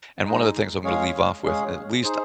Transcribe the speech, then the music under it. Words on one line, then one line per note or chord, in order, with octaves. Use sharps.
And one of the things I'm gonna leave off with, at least
G#3 D#4 G#4 D#5
G#3 C#4 G#4 C#5 F5
G#3 C#4 G#4 C#5 F5
D#4 G#4 C5